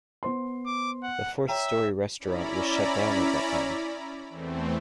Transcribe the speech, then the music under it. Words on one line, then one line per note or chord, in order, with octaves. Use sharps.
The Fourth Story restaurant was shut down at that time.
B3 C5 C6
D6
F#5
C#5 E5 G5 A#5
C#4 E4 D5 A#5 B5
E2 E3 A3 C4